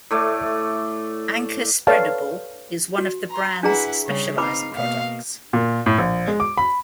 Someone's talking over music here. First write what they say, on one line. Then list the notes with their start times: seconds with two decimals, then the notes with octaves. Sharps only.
Anchor Spreadable is one of the brand's specialised products.
0.11 A2 A3 D5
1.87 A4 B4 C#5 D5 F5 A5
2.98 F#4
3.30 A#5 C6
3.63 D4 E4 G#4 B4 F#5 A#5
4.06 C#3 G3 C#5
4.38 C4 D#4 B4 F5 B5 D6
4.74 B2 A#3 F5
5.53 A#2
5.86 A2
5.98 A#1
6.28 G#3
6.40 D6
6.57 B5